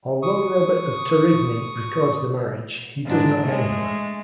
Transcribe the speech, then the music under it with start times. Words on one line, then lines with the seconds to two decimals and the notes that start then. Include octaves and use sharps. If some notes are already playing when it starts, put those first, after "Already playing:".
Although Robert of Torigny records the marriage, he does not name her.
0.23 C#6 D#6
3.04 G#2 D4
3.44 G#3 A3